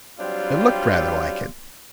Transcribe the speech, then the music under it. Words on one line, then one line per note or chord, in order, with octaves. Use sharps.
It looked rather like it.
F#3 G3 C4 D4 F4